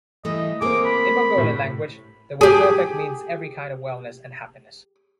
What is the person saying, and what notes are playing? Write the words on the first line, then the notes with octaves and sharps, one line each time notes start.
In Mongolian Language the word “Perfect” means every kind of wellness and happiness.
E3 G3 A3 D#5
A3 A#3 C4 G#4 A#4 D6
B5
A2 C3
G4 G#4